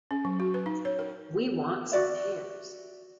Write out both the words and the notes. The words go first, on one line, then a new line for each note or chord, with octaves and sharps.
We want some pears.
C#4
F#3
F#4
B4
D#4
C#5
A#4
F#4 D5 E5